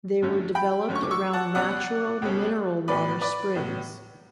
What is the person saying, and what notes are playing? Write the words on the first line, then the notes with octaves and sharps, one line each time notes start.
They were developed around natural mineral water springs.
F#2 D3 F#3 A3 C#4
G5 B5
F#2 D3 F#3 A3 C#4
C#6
D6
C#6 E6
F#5 A5
C#2 B2 G3 C#4 D5 F#5
C#2 B2 G3 C#4
A2 F#3 B3 B4 D5
B4 D5
A2 F#3 B3